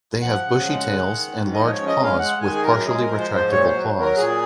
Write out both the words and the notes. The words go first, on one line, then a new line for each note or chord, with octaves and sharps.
They have bushy tails, and large paws with partially retractible claws.
F3 F#5
C#3
G#3
G#3
D#3
G#2
F3 D#5
D#5
C#5
C#3
D#5
G#3
F5
G#3 F#5
D#3 G#5
G#4
F#2 A#4
G#3 G#4
A#4
F3
C5
G#2
C5
A#2 C#5
C5
F#3
F#3
A#4
A#2 G#4